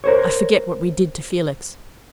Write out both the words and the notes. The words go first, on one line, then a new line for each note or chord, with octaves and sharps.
I forget what we did to Felix.
A#4 C5 C#5